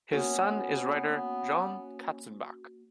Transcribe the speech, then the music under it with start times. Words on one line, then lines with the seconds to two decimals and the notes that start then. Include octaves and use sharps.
His son is writer John Katzenbach.
0.13 A#3 B3 C#4 F#4